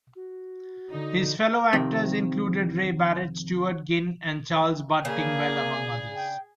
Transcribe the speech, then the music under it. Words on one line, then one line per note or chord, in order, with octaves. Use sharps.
His fellow actors included Ray Barrett, Stewart Ginn and Charles "Bud" Tingwell, among others.
F#4
D3 D#4
F2 C3 D#3 C4
C#3 A#3 D4 G#4
G5